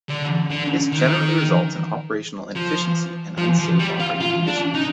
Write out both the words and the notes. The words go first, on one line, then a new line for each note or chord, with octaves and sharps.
This generally results in operational inefficiency and unsafe operating conditions.
D3
D3
D#3
F3
F3
F3
G3
F4
F4
D4
D#4